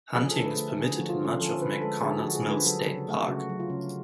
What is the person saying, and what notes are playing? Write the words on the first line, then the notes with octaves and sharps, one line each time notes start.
Hunting is permitted in much of McConnells Mill State Park.
F3 G#4
A4
D3
B4
A3
D3 G#4
F#4
F3
F4
D3 C#4
F3 A4
D3 B4
G#3 A4
D3 G#4
F3 F#4
G#4
D3 B4
F#3 A4
C#3
A3
C#3 F#4
F#3
F4
C#3